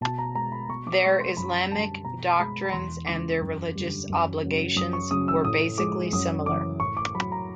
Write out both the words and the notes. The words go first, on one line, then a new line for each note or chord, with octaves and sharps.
Their Islamic doctrines and their religious obligations were basically similar.
B2 A5
A#5
G#3 A#5
B5
B2 C#6
D6
G#3 C#6
C6
F#2 B5
D3 G3 A5
B2 A#5
G#3 B5
B5
E2 C6
C#3 E3 G#3 D6
F#2
D3 G3
F#2
C#3 F#3
F#2 D#6
C#6
C#3 F#3 D#6
E6
A2 D#6
F3 G#3 D6
F#2 D#6
C#3 E3 D6
A2 C#6
D6
F#3 B5
A#5